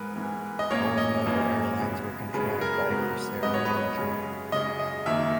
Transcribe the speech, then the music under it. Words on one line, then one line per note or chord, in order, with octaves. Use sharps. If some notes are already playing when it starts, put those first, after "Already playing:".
All of the member airlines were controlled by Krasair management.
Already playing: G#2 E3 B3 A#4 B4
G#2 E3 B3
D#5
F#2 E3 A#3 C#4 C#5
D#5
F#2 E3 A#3 C#4
F#2 C#3 G#3 B3
F#2 C#3 G#3 B3 B4
A#4
G#2 F#3 B3
G#2 F#3 B3 D#5
C#5
B4
C#5
F#2 C#3 G#3
F#2 C#3 G#3 D#5
D#5
F#2 D#3 A#3 E5